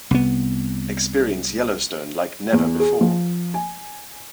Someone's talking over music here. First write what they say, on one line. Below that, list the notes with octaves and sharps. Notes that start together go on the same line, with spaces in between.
Experience Yellowstone like never before!
C2 B3
E2
G#4
F3
G#5